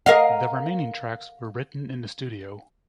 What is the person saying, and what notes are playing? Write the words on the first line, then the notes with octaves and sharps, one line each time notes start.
The remaining tracks were written in the studio.
A#4 D#5 F5